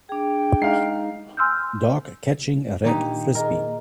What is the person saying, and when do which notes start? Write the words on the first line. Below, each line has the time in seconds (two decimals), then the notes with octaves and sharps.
Dog catching a red Frisbee.
0.09 D4 G#4 G5
0.62 G#3 D#4 F5 C7
1.37 G#5 C6 E6 F6 G6
2.85 A#2 D#3 A#3 D4 D#4 G4
3.35 G#4 A#4 D#5 A#5